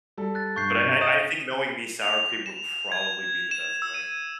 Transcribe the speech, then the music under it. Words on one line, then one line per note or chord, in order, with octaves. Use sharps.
but I I think knowing me, sour cream would probably be the best way.
G3 A4
F#6 A6
G2 C#6 G6 C7
C3
D#5 F5 D#6 E7
F7
E7
G#6
E7
E6
D#7